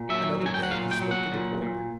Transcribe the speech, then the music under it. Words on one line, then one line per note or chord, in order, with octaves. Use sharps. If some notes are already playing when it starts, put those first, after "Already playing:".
Another day he spoke to the porter.
Already playing: A#2
F#3 E5
F#3
G#5
G5
F#5
A#2 F5
G5
F#3
F#5
A#2
A#2